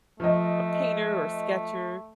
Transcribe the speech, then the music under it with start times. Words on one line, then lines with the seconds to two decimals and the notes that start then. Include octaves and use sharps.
a painter or sketcher,
0.20 F3 A3 D#5